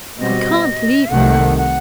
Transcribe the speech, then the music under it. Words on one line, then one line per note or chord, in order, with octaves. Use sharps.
'I can't leave her.
B2 G3 C4 F#4 D#5
C2 C3 D#3 A3 F#5
F#5